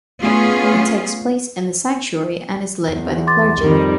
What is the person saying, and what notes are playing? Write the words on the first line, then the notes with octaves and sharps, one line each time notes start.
It takes place in the sanctuary and is led by the clergy.
A3 B3 C#4 F4 G#4
E2
C6 D6 A6
F2 D#3 G3 A#4